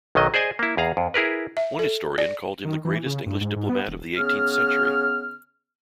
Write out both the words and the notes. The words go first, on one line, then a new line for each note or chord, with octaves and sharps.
One historian called him the greatest English diplomat of the eighteenth century.
B1 D#3 F#3 D#5
G#4 C5 D5 D#5 G#5
A#3 E4
E2 G#4 F5 A#5
F2
E4 G#4 A#4 B4
E5
A4
D5
D#3
E3
C#3
G2
G#2
G#2
B3
D#1
C#3 B3 F6